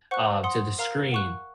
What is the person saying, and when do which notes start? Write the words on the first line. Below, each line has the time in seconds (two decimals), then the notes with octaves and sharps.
uh, to the screen,
0.11 C5 F#5 C#6 F#6
0.44 F#5 C6 D#6
0.78 A#4 F5 A#5 F6
1.12 F#5 C#6 F#6